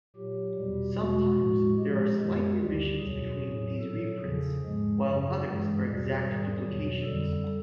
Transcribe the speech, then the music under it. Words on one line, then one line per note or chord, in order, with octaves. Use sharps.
Sometimes there are slight revisions between these reprints, while others are exact duplications.
A#2 F#3 G4
E2 B2 G3
E2 B2 G#3 F#4
A2 F3 G#3
A#2 F3 G#3 G4
F#2 D#3 G#3
D2 D3 G3 G4
E2 B2 F#3 G#4
A2 F#3
A#2 F#3 A4
E2 C#3 F3 G#4
G#2 F3 G#3
F#2 C#3 F#3
G2 E3 G#3 G#4
E2 B2 G3
G#2 D#3 G3
E2 B2 F#3
F2 D3 G3 A4